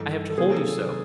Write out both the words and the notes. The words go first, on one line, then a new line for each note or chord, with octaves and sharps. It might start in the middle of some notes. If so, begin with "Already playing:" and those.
I have told you so.
Already playing: G2 E3 G#3 A4
A4
C3 D#3 F#3 A#3 G#4
A4